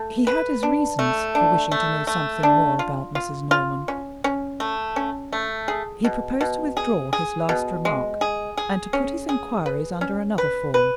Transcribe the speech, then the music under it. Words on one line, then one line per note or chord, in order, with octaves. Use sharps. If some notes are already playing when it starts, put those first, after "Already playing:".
He had his reasons for wishing to know something more about Mrs. Norman; he proposed to withdraw his last remark, and to put his inquiries under another form.
Already playing: A3
B4
D4
A3
D4
A3
A3
D4
F4
F4
F4
C#4
C#4
A3
C#4
A3
G#4
B2
B2
G#4
G#4
B2
G#3
G#4
G#4
C#4
G#4
B4
C#4
B4
B4